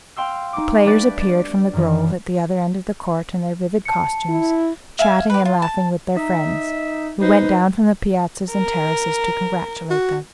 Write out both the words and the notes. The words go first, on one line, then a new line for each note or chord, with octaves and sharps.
The players appeared from the grove at the other end of the court in their vivid costumes, chatting and laughing with their friends, who went down from the piazzas and terraces to congratulate them.
F5 G5 C6 E6
D#4 D6
G3 A3 D4 B4 D5
D5
F#2 E3
A5 C#7
E4
E5 F5 G#5
G4 B4
F4
A5
D#4 E5
D#4 B4 C5
A#4
F#4